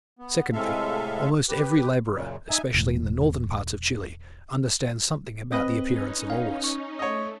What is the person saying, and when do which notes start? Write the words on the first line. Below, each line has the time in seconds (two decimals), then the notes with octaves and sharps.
Secondly, almost every labourer, especially in the northern parts of Chile, understands something about the appearance of ores.
0.19 B3
0.53 A2 C3 G#3 A4 E5 F5
1.49 G4 B4
2.12 F#2 A#2 C#3
2.50 D#4 E5 G#5
2.74 E1 A2
5.52 C4 B4 D#5
5.85 C#4 D#4
6.30 F5
6.64 C#6
6.99 A3 C#5 D#5